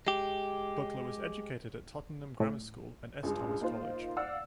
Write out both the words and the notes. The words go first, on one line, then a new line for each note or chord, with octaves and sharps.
Buckler was educated at Tottenham Grammar School and S Thomas College.
G#3 G4
A2
C#2 G2 G#3
A#3 D#4 F4 C5
D5 F5 F#5 E6 F6